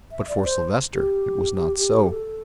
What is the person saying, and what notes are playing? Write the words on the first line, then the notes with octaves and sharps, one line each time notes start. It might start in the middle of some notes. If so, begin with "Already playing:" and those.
But for Silvester it was not so.
E5
D5
C5
G4
A4